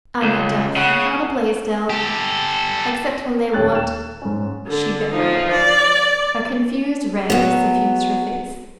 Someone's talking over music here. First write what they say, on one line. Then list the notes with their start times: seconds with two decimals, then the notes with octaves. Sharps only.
"I'm a Duff, not a Blaisdell--except when they want--" She bit her lip. A confused red suffused her face.
0.22 C#2
0.77 C#3 F#5
1.90 G4 A4
3.53 D#1 A4 C#5 G5 F#6 A6
3.71 F#6 E7
4.22 G#2 C#4
4.67 D3
5.10 F3 D#4
5.51 D5
7.30 F#3 B3